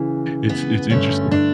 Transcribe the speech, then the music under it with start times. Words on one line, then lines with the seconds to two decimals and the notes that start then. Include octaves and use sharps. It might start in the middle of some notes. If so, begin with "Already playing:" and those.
It's it's interesting.
Already playing: C#3 E3
0.49 B3
0.90 G2 D3 A3 C#4
1.31 D4